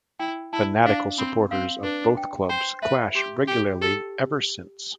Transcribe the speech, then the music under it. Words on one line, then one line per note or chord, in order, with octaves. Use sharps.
Fanatical supporters of both clubs clash regularly ever since.
E4 G5
E4 A5
D4 F5
C4 B5
C4 F5
D4 B4
G5
C5 G5
B4 E5
G4 C6
G4 G5
G4 A4